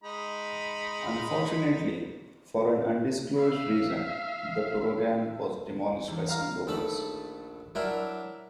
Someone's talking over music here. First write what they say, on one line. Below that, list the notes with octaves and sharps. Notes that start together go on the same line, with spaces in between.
Unfortunately, for an undisclosed reason, the torogan was demolished by some locals.
G#3 D#4 B5
E5 F5
E2
F5 A#5 F6
A#1 D#3 A3 A4 B5
F#3 D4 E4 A#4 E5